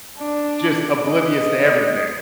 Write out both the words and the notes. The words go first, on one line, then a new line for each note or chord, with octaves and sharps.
just oblivious to everything.
D4
D#5